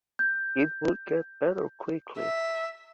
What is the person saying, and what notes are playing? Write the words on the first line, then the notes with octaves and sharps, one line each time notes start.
It will get better quickly.
G6
E5